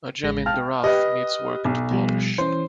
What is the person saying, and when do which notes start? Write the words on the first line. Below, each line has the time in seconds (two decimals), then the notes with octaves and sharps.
A gem in the rough needs work to polish.
0.24 A1 G#3 A#6
0.46 F5 G5 A5 F6
0.84 G4 B4 D#5
1.65 B1
1.91 B2 F3 G3
2.38 E3 C#4 C5